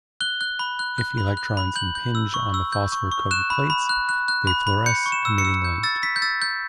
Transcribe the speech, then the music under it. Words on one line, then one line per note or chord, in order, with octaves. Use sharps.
If electrons impinge on the phosphor-coated plates, they fluoresce, emitting light.
F#6 G7
F#6
B5
F#6
F#6
B5
F#6
B5
G6 F#7
G6
E6
C#6
E6
G6
C#6
C#6
F#6 E7
B5
B5
F#6
F#6
F#6
B5
B5
G6 C#7
C#6
E7
E6
C#7
E6
G6
E6 A6
E6 B6
G6
E6 A6
G6